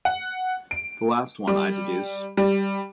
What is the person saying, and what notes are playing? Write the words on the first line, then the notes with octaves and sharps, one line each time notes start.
The last one, I deduce.
F#5
D7
G3
G3